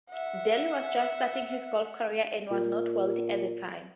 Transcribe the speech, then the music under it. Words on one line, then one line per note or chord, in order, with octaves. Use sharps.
Daly was just starting his golf career and was not wealthy at the time.
E5 F#5
A#2